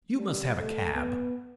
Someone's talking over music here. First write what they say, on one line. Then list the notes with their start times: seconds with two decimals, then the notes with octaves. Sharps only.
"You must have a cab."
0.18 G3
0.57 A3
0.95 B3